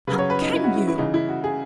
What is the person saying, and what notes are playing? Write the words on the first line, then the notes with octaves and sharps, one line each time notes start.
How can you?
C#3 F#3 B4
C#5
B4
D#4
E4
F#4
E4
E4
C#3 E3 D#4
E4
F#4
G#4